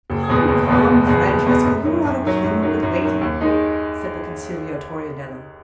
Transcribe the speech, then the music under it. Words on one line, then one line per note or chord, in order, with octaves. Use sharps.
"Come, come, Francesco, you are out of humour with waiting," said the conciliatory Nello.
F#1
E2 B2 G#3 B3
F#1
E2 B2 G#3 B3
F#1
E2 B2 G#3 B3
F#1
E2 B2 G#3 B3
F#2
D#3 F#3
F#2
D#3 F#3
F#2
D#3 F#3
F#2
D#3 F#3
D#2
D#3 G#3 D#4